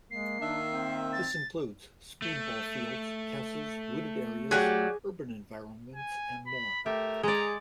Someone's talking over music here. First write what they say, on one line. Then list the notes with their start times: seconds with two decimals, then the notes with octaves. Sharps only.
This includes speed ball fields, castles, wooded areas, urban environments, and more.
0.11 G#3 A#3 C7
0.40 D#3 D4 E5
0.71 C4
1.13 A6
2.22 A3
4.51 F#3 G4 G#4 D5 F#6
5.96 G#5
6.46 B5
6.86 A3 G4 A#4
7.23 G#3 G#4 D5 A#5